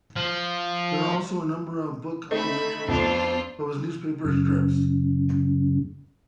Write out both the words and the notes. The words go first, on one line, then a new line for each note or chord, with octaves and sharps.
There are also a number of book compilations of his newspapers' strips.
F3
A3 C4 D#4 E5 B5
F2 B3 D4 F4 C5
F#2 C#3